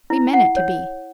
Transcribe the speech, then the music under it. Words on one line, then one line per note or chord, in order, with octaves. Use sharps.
We meant it to be.
E4
F#5
C#5